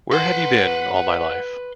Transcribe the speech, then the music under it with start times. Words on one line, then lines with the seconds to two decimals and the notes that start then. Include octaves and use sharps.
Where have you been all my life?
0.12 B4 F#5 C6